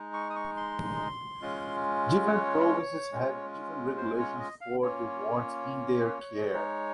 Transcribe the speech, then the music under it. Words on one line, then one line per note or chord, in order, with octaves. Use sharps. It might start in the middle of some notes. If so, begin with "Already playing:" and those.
Different provinces have different regulations for the wards in their care.
Already playing: G#3 D#4
C#6
D#6
C#6
C6
G#3 C#4 F4
C#5
G#3 C#4 F4
C5
C#5
D#5
F5
A#3 C#4 F4 C#5
G#3 D#4